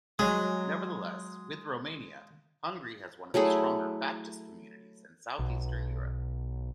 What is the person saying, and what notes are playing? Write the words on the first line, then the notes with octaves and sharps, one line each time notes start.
Nevertheless, with Romania, Hungary has one of the stronger Baptist communities in southeastern Europe.
F#3 G#3 G#4
F#3 A3 E4 G#4
B1